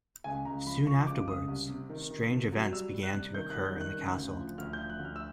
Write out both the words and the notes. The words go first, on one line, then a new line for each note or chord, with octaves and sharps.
Soon afterwards, strange events began to occur in the castle.
C#2 G#5
C#2 A#5
F3 B5
F3 C#6
C#2 D6
C#3 D#6
C2
C3
D#3
D#3
C3
F#3
G3 E6
G3
F#6
C3
D#3 G6
F#6
G3
G6
D#3
F#6
C#3
D2
F3
D2 F6
G6
F3
F#6
D2
F6
E6